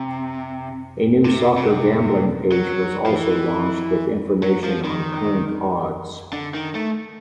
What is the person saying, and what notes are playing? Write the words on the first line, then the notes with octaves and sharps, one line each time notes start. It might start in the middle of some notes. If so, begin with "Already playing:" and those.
A new soccer gambling page was also launched, with information on current odds.
Already playing: C3
C3
C3
F#3
F3
E3
F#3
F3
D#3
D3
D#3
A3